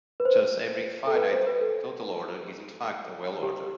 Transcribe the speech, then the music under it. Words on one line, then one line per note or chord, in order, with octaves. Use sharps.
Thus every finite total order is in fact a well order.
B4
C5
A4
B4
C5
B4
A4
G4